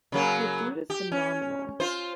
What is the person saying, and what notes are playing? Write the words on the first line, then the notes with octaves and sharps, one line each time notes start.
The dude is phenomenal.
C#3 F#3 A#3
G4
C#4
F4 C5